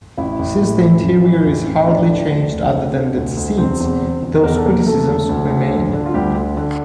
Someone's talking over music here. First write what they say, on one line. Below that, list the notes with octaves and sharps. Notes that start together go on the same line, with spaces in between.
Since the interior is hardly changed other than the seats, those criticisms remain.
A1 E4 E5
A1
A2
E3
A1
E3
A1
A1
D2 D4 D5
D3
D2
D2
D2
D3
D2
D2
E1 C4 C5
E2
E1
E1
E2 A#4
A4
E1 A#3 A#4
E1 A3 A4
E1
D2
D2
D3
D3
F4
D2 G3 G4
D3
D3